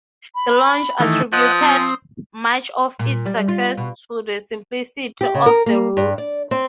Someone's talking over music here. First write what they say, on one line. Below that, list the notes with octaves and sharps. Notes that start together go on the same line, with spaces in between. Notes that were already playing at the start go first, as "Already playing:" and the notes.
Delonge attributed much of its success to the simplicity of the rules.
B5
D#3 E3 A3
F3 D#5 F#5 D#6
C4
A#2
G3
F4
B2
G4
C#3
A#4
A#3
G2
D5
C4